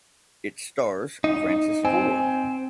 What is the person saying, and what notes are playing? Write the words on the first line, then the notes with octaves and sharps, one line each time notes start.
It stars Francis Ford.
D#4
C4 G#5